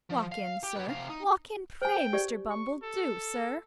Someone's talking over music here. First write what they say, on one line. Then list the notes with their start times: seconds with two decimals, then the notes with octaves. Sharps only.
Walk in sir; walk in, pray, Mr. Bumble, do, sir.'
0.10 F3
0.32 F5
0.63 G4
0.76 G4 B4
0.88 C3 F5
1.10 D#4
1.82 C5 G5 G#5
2.13 G4 D5
2.50 C#6
2.83 A4